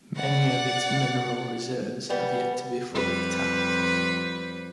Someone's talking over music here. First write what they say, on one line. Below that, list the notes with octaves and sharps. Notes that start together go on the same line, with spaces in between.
Many of its mineral reserves have yet to be fully tapped.
D5 F#5
E3 G3 B3
F2 G3 B4